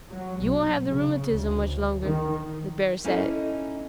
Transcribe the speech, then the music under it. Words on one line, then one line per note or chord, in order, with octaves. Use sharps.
"You won't have the rheumatism much longer," the bear said.
F#3
B1
C#3
D2
D#3
A#3 C#4 D#4 E4 A4 D#5